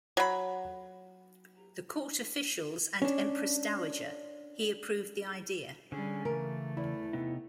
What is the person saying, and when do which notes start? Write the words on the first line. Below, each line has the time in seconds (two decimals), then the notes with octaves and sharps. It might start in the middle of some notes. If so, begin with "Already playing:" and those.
The court officials and Empress Dowager He approved the idea.
0.17 F#3 B5
3.02 C#4 D4
5.92 D3 G3 C#4 G#4
6.25 C#3 E3 A3 A#4
6.77 E2 E4
7.13 C3 B3 D#4